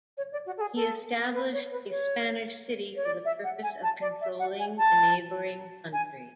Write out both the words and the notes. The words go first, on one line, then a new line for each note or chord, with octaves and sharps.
He established a Spanish city for the purpose of controlling the neighboring country.
C#5
D5
F#4
A4
G#4
A4
B4
C#5
B4
C#5
C#5
D5
E5
F#5
G#5
A5
D5
E5
F#5
G#5
A5
G#5